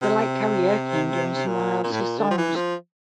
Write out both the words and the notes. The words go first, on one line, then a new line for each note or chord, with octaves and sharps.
They like karaoke and doing someone else's songs.
C3
A#2
A#2
A2
A#2
D3
F3
E3
F3